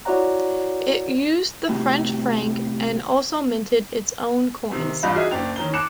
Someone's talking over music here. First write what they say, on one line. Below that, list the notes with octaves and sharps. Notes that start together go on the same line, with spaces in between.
It used the French franc, and also minted its own coins.
E4 F#4 C#5 D5 F#5 A#5
A2 C3
C3 D#3
E2 G2 F4 F5 B5
D#4 F#4 G#4 E5
F#1 D4 G5 F7
D#3 C#4 A#4 G7
D6 F#6 C#7 E7